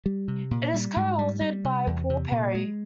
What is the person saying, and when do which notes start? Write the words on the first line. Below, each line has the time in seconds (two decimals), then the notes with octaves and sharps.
It is co-authored by Paul Perry.
0.06 G3
0.28 C3
0.51 A#2
0.74 G3
0.96 G#2
1.19 G3
1.41 G3
1.65 C3
1.87 E2
2.10 C3
2.32 A#2
2.55 G#3